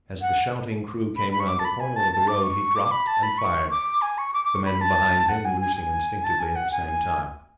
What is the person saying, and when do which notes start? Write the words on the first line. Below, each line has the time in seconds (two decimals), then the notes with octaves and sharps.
As the shouting crew came round a corner of the road, he dropped and fired; the men behind him loosing instinctively at the same time.
0.21 F#5
1.17 B5
1.32 B5
1.40 C#6
1.48 D6
1.59 A5
1.65 B5
1.80 G#5
1.96 A5
2.12 A5
2.28 D6
2.43 C#6
2.76 D6
2.91 B5
3.07 A5
3.23 B5
3.38 C#6
3.71 D6
4.02 G#5
4.18 C#6
4.34 D6
4.45 D6
4.55 C#6
4.65 B5
4.81 A5
5.29 F#5
5.45 G#5
5.61 G#5
5.76 G#5
6.24 A5
6.40 G#5
6.56 F#5
6.72 G#5